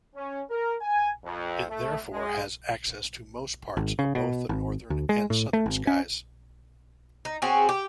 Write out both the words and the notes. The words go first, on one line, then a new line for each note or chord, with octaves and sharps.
It therefore has access to most parts of both the northern and southern skies.
C#4
A#4
G#5
F2
A3
G#3
G#1
C#3
B2
G#1
D2
G#3
A2
A3
G#1
C#4
D#4
C4 C#4 F#4 G#4
G4